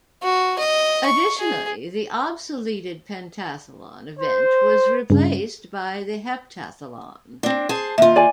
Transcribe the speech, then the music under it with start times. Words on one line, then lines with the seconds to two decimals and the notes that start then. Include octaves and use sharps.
Additionally, the obsoleted pentathlon event was replaced by the heptathlon.
0.23 F#4
0.59 D#5
1.06 C#6
1.39 G#4
4.18 C5
5.10 G2 C#3
7.43 C4 D4
7.69 G#4 C5 A5
7.98 D#2 F4 E5
8.16 D5 G#5